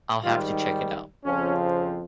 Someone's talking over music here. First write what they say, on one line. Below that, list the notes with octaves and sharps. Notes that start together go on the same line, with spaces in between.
I’ll have to check it out.
G#2 D#3 G3 F4
F2 C#3 F3 C4 C#4